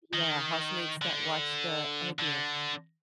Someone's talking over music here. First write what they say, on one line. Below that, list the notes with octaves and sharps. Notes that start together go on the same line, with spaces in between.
yeah, housemates that watched the oh dear,
D#3
D3
D3